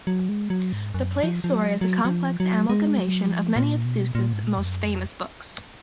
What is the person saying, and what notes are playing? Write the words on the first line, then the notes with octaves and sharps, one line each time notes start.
The play's story is a complex amalgamation of many of Seuss's most famous books.
F#3
G#3
F#3
G#2
F#2
F3
F3
F#3
F#3
F#3
F3
F#3
G#3
F#3
F3
A#2
B2
A#2
G#2
A#2
F2
F#2
F2